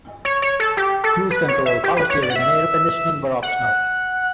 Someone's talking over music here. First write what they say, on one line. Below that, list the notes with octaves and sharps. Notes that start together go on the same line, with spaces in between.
Cruise control, power steering, and air conditioning were optional.
C#5
C#5
A4
G4
A4
B4
C#5
E5
G4
B4
C#5
D5
F#5
E5
F#5